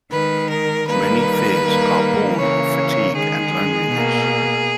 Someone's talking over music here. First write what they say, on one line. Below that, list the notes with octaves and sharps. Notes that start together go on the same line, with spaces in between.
Many fears are born of fatigue and loneliness.
D#3 G#3 B4
A#4
D#3 G3 A#3 B4
D#3 G3 A#3
C#3 E3 A#3 C#5
D#3 G#3 G#4
B2 A#3